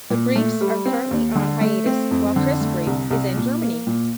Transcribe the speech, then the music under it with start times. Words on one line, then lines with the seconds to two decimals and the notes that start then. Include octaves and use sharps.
The Briefs are currently on hiatus while Chris Brief is in Germany.
0.10 A#2
0.36 A3
0.61 G3
0.86 C4
1.11 D#2
1.35 D3
1.61 A3
1.86 C4
2.11 F2
2.36 D3
2.61 A3
2.87 C2
3.11 C2
3.37 A#2
3.62 A#3
3.87 A#2